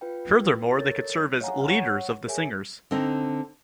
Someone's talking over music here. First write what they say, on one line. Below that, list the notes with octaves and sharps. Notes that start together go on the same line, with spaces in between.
Furthermore, they could serve as "leaders" of the Singers.
F4 B4 G5
A4 A#4 C#5 A6
C#5 D#5 F5 F#5 G#5 A#5
C#5 F#5 C#6
G#4 A#4 C#5 E5 G#5
D3 C4 D#4